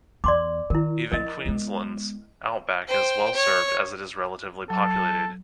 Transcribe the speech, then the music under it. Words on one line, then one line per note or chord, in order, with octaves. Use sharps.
Even Queensland's outback is well served as it is relatively populated.
E2 D5 C6 D6
D#3 E4 A#4
F3 E4 A#4 D#5
G#3 B3
C5 G5
C#5
F#3 A4